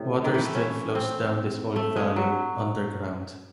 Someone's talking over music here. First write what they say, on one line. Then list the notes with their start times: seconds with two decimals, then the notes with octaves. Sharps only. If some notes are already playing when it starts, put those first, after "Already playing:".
Water still flows down this old valley-underground.
Already playing: A2 C3
0.24 D#3
0.34 E3
0.45 A3
0.55 C#4
0.95 C4
1.76 A3
1.96 G#3
2.16 F#3